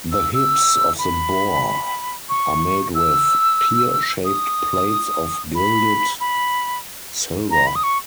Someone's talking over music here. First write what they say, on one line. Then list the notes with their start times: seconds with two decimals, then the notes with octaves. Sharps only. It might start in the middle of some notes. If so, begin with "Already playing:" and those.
The hips of the boar are made with pear shaped plates of gilded silver.
0.12 E6
0.34 E6
0.99 B5
2.29 C#6
2.95 E6
4.25 D#6
5.55 B5
6.20 B5
7.51 A#5
7.67 B5
7.76 D#6
7.83 C#6